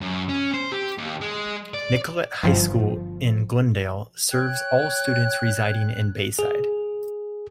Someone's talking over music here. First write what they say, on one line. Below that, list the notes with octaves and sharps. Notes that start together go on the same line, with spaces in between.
Nicolet High School in Glendale serves all students residing in Bayside.
F#2
C#4
C5
G4
D#2
G#3
D5
G1 F3
C#5 G5 F#6 G#6
G#4